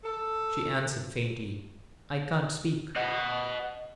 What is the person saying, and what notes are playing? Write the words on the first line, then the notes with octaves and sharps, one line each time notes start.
She answered faintly: "I can't speak!"
A4
D#5 F#5